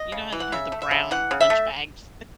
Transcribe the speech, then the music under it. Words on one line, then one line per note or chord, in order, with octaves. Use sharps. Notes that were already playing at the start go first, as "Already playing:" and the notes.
you know how you have the brown lunch bags?
Already playing: D#5
C#3
E3
F#5
C#3 E5
A3
E5
C#3
E3 F#5
C#3
E5
A3